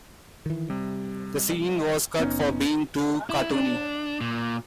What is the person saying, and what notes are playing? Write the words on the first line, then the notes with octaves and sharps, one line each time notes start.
The scene was cut for being too cartoony.
D#3 E3
C3 G3
F#1 B3 C#4 D#4
E4
D4
A#2